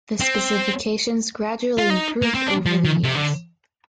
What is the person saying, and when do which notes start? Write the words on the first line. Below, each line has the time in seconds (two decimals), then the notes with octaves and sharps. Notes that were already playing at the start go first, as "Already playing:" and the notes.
The specification gradually improved over the years.
0.20 C4
1.78 F4
1.90 D#4
2.22 A#3
2.34 C4
2.47 D4
2.66 F3
2.85 D#3
3.04 C3
3.15 D3